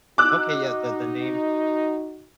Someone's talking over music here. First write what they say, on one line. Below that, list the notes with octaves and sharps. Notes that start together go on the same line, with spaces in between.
Okay, yeah, the the name
D#4 F#4 D6 E6 F#6